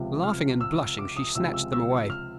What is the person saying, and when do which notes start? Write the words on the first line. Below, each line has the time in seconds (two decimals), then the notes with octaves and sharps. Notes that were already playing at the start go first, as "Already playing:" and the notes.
Laughing and blushing, she snatched them away.
Already playing: C#2 C3 F3
0.24 F6
0.61 E6
0.99 D6
1.16 D#6
1.35 C#2 C3 F3 G#3 E6
1.54 E6
1.72 E6
2.10 F6